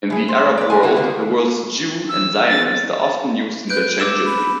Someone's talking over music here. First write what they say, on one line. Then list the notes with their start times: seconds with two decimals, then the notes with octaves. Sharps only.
In the Arab world, the words "Jew" and "Zionist" are often used interchangeably.
0.10 E3 G#4
0.28 C5
0.57 B4 D5
0.70 G3 F4 G#5
0.83 A#3 B3 E4 F#4
0.97 D#3 A#3
2.09 E6
2.47 A6
3.70 B4 F#6 G6 D7
4.00 D6 E6 E7
4.25 B5